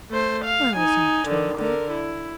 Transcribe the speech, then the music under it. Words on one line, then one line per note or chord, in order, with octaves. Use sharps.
"I was not told that."
A3 C5
F5
D#4 G#5
D3 D#3
D3 A#4
E4